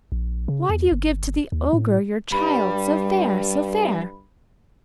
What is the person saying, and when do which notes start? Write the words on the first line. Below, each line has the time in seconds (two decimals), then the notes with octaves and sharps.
Why do you give to the ogre Your child, so fair, so fair?
0.12 A#1
0.48 C#3
0.69 E2
0.92 G1
1.52 D#2
1.73 A2
2.32 G2 G3 B5